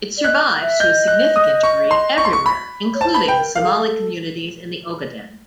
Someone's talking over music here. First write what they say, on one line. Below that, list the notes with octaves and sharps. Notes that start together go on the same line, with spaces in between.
It survives to a significant degree everywhere, including the Somali communities in the Ogaden.
D5
D#5 F#6
E5
D#5 G6
F#6
D#6
C#6
C6
C#6
C6
C#6
B5
C#5
C5 A5
B4 B5
G5
A#4
A#4 F5
A4
G#4
A4